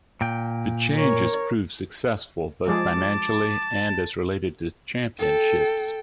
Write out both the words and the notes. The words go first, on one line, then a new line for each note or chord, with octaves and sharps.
The change has proved successful, both financially and as related to championships.
A#2 G5
A#4 C#5
F3 G#3 G#4 A5 D6
A4 G5